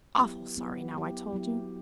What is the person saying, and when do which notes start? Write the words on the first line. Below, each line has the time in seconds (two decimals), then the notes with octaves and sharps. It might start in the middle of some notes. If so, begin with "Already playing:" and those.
Awful sorry now I told you.
0.19 F#3 B3 E4 G4
0.57 F#3 B3 E4 G4
0.95 F#3 B3 E4 G4
1.32 F#3 B3 E4 G4